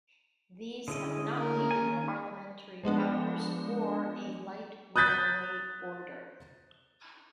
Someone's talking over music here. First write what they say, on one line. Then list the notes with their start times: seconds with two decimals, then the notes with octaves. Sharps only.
These have not needed parliamentary powers or a light railway order.
0.88 D3 C#4 E4 G#4 D#5
1.38 A#3 C#4 A#4
1.71 D#3 G#5
2.83 F3 G#3 B3 D4
4.96 D#6 F#6 G6 A6 B6